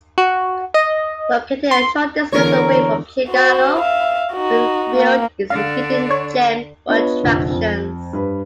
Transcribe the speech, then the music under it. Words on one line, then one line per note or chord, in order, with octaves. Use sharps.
Located a short distance away from Chicago, Winfield is a hidden gem for attractions.
F#4
D#5
C6
E2 D3 A#4 C#5
F#4 C5
E5 F5
D#4 F#4
A#3
D3 D4 F5
C#5
B3 D4 F4 B4 C#5 D#5
F1 A#1 D3 F3
F2
G2 B4